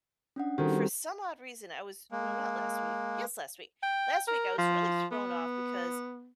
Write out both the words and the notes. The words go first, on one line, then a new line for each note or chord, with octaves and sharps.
for some odd reason, I was no, not last week yes, last week. Last week, I was really thrown off, because
C#4 D4 F#5
D#3 G3 C4 F#4 G4 A4 C5
G#3 A#3
G5
A#4
F3
B3